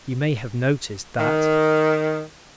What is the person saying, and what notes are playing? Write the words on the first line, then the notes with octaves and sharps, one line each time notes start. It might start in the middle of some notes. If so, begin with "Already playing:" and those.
You may have noticed that.
D#3